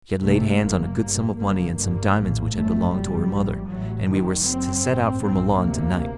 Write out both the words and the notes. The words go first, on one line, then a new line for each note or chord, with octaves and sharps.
She had laid hands on a good sum of money and some diamonds which had belonged to her mother, and we were to set out for Milan to-night.
C2 C3 A3
F#1 F#2 A#3
G1 G2 A#3
F#1 F#2 A#3
G1 G2 A#3
A#1 A2
G1 F#2 A3
F#1 F#2 G3
A#1 A2
A1 A2 F#3
F#1 F#2 D#3
F#1 F#2 C4
A1 G2
A#1 A2 C4
D2 C3 A#3